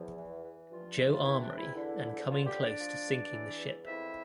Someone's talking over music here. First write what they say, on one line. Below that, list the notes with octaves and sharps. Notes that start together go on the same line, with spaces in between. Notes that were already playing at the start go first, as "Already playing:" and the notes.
Joe armory and coming close to sinking the ship.
Already playing: E2 F3
E3
E3
G2 F3 F4
E3
F4
C3 E4
D4
E2
E4
D3 E4
E2
D3 F3 F4
G3 G4
F3
D4 D5
F3
E2
E3
E2
F2 E4 E5